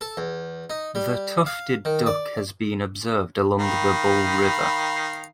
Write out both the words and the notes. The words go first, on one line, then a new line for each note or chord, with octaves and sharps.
The Tufted duck has been observed along the Bull River.
A4
E2
D#4
G3
F5
D#3
D5
D#3 F5 B5